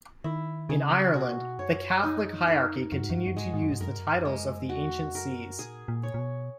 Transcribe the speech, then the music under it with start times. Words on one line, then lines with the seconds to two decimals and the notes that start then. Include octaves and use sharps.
In Ireland, the Catholic hierarchy continued to use the titles of the ancient sees.
0.24 D#3 E4
0.69 C#3 G#4
1.14 B2 F#4
1.59 F#2 C#5
2.04 D#4
2.47 A#4
2.92 F#2 F#4
3.01 G#2
3.10 F#2
3.18 G#2
3.27 F#2
3.36 G#2 G#3
3.45 F#2
3.54 G#2
3.62 F#2
3.72 G#2
3.80 F#2 A#4
3.89 G#2
3.98 F#2
4.06 G#2
4.15 F#2
4.25 G#3
4.69 E2 F#4
5.14 F#2 A#4
5.59 A#2 G#4
5.88 A#2
6.03 C#5
6.14 A#2
6.18 B2